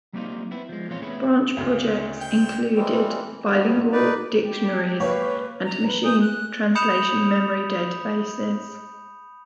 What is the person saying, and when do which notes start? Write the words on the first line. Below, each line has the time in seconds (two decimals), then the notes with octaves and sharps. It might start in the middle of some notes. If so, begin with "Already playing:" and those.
Branch projects included bilingual dictionaries and machine translation memory databases.
0.13 F#3 G3 A#3 C4 D#4 F4
0.51 B3 C4 E4
0.69 F3 G#3
0.88 E2 A#2 C4 F4 C#5
1.02 A2 B3 C#4 E4 G#4 C#5
1.57 D2 C#3
2.20 G5
2.76 E3 G3 G#3 C4
3.44 D#2 F#3 B3
3.92 D#4 B4 D5
4.43 G#3 G4
5.00 A#3 C#4 B4 C#5 F5
5.64 A#5
5.87 B4
6.03 G#5 D#6 G6
6.19 F#6
6.75 B5 D#6 G6 C#7 E7 F7